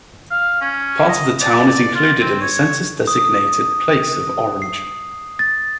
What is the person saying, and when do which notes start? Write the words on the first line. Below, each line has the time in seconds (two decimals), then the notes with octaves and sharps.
Part of the town is included in the census-designated place of Orange.
0.31 F5
0.61 C#4
1.09 D#5
1.40 D5
1.95 F4
2.20 C4
2.41 C#5
3.07 D#6
4.62 C7
5.39 A6